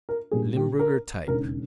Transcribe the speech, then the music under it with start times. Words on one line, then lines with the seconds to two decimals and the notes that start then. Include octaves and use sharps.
Limburger type.
0.09 A#4
0.31 A#1 A#2 G3 A#3 G#4
0.56 G4
0.79 A#4
1.27 E1 D#2 C#3 A#4